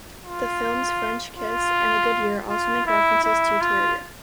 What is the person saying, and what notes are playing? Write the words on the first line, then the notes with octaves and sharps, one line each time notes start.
The films "French Kiss" and "A Good Year" also make references to "terroir".
F4
F4
F4
E4
E4
F4